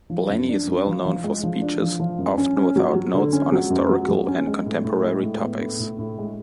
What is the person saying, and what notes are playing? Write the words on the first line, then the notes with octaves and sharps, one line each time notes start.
Blainey is well known for speeches, often without notes, on historical and contemporary topics.
F3
F#2
D4
F#2
F3
F3
G#3
F3
D4
F3
F3
F#2
C#4
C#4
F#3
F#3
D3
C#4
F#3
F#2
F#3
F#3
C#4
G#3
A2
A2
G#3
A2
B3
A2
A2
A2
G#3